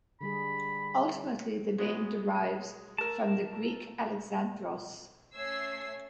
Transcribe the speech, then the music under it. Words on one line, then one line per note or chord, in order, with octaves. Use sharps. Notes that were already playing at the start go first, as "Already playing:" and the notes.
Ultimately the name derives from the Greek Alexandros.
D3 G3 G#4 B5
G#3 B3 F#4
A3 A#4 A5
A3 C#4 E6 G#6 C7